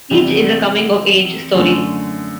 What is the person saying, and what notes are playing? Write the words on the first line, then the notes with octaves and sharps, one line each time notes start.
Each is a coming of age story.
E2 C3 G3
F#2 D3 A3